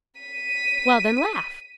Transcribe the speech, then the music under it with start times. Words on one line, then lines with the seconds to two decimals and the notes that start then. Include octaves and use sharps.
"Well, then, laugh."
0.20 B6 D#7